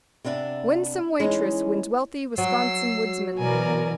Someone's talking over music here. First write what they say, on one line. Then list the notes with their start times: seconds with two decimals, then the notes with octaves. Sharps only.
"Winsome Waitress Wins Wealthy Wisconsin Woodsman."
0.24 C3 B3 D4 C#5 E5
1.20 E3 G#3 C#4 D#4 G#4
2.38 F#3 E6 C7
3.38 B2 E3 A#4 D5 G#5